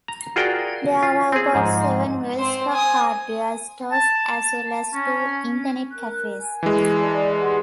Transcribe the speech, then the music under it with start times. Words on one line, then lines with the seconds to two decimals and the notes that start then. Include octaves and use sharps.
There are about seven well-stocked hardware stores, as well as two internet cafes.
0.08 A#5
0.36 F4 F#4 G#4 A#4 D5 G5
1.03 F4
1.32 C4 G#4
1.55 G#2 F3
2.39 C4 C5
2.72 G#5 D#6
3.92 A5
4.94 C#4
5.92 A#4 F#6
6.39 G#5
6.63 E3 G#3
7.01 D5 A5
7.41 G4 F#5 C6